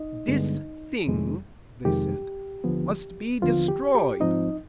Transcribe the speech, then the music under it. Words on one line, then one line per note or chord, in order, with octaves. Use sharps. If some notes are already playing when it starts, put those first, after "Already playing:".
"This thing," they said, "must be destroyed."
Already playing: D#4 D#5
G2 D3 G#3 B3
F2 C3 D#3 G#3
F2 C3 D#3 G#3 G4
D#2 D3 F3 B3
D#2 D3 F3 B3 F4
G4
G4
G#2 F3 C4 D#4 D#5